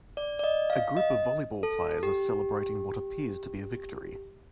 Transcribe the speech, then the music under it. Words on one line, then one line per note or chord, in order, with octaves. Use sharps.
A group of volleyball players are celebrating what appears to be a victory.
D5
D5
D#5
F5
D#5
A4
G4